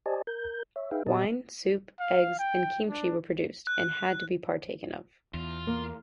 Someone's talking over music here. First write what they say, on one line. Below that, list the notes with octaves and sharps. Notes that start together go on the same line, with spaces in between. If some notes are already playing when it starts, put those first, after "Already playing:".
Wine, soup, eggs, and kimchi were produced, and had to be partaken of.
G4 C5 D5 D#5 G#5 A5
A#4 G6
C#5 E5
D#4 G#4 B4 E5 F5 G5
A#2 B3 G4 D#5 A5
F5
G5
D4
F#6
E2 F4
A#3